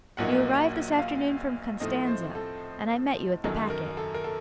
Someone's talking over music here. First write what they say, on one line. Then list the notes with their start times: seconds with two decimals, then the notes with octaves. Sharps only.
You arrived this afternoon from Constanza, and I met you at the packet.
0.17 A#1 A#2 F#3 A#3 D#4 F#5
0.99 F5
1.80 A2 F3 A3 C4 D#4 D#5
2.07 C5
2.35 A4
3.44 F#2 D#3 F#3 A4
3.70 A#4
3.97 A4
4.14 A#4
4.24 A4